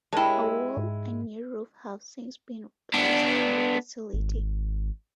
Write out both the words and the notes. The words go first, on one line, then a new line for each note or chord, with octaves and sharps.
A wall and new roof have since been placed on the facility.
G#3 E4 G4 A#4 C#5 G5 A5
G#2
B3 D4
G#1